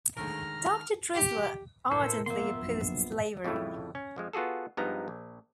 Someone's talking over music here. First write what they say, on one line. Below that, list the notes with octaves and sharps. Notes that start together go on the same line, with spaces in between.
Doctor Drisler ardently opposed slavery.
D#2 D3 D#3 G#3 A3 A#4 A#5 F6
G4
A2 E4 A4 A#4 C5
F3 A#3 B3 A#4 E5 C6
A#1 F#2
F2 A2 C#3 A3 E4
C#4
F2 F3 G#3
B3 F4 F#4 G#4 A4
G2 F3 G#3 B3 D#4 A#5
A#1